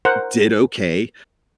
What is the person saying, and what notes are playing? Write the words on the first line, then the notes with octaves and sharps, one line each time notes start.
did okay.
A#4 C5 F#5